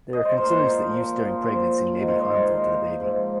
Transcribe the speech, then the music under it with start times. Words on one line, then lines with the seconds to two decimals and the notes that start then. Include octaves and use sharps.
There are concerns that use during pregnancy may be harmful to the baby.
0.13 D#5
0.25 C5
0.37 A#2 F3 A#4
0.90 A#2 F3
1.42 A#2 F3
1.95 G#2 D#3 A#4
2.08 C5
2.21 D#5
2.35 F5
2.48 A#2 F3
3.00 G#2 F3